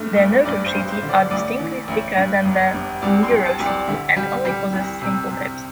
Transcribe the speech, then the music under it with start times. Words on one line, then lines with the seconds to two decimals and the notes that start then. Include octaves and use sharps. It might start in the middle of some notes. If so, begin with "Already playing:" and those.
The notochaetae are distinctly thicker than the neurochaetae and only possess simple tips.
Already playing: G2 A3
0.16 A1
0.45 G2 D5
0.66 C5
0.74 G2
0.88 C5
1.02 D3
1.09 D5
1.31 A1 D5
1.59 E3
1.88 A1
2.16 G2
2.45 G1
2.73 G1
3.02 C2 D5
3.23 C6
3.30 C2
3.45 A5
3.59 C2
3.66 D5
3.87 D3 E5
4.16 G3
4.45 G3
4.73 C2
5.01 C3
5.31 C3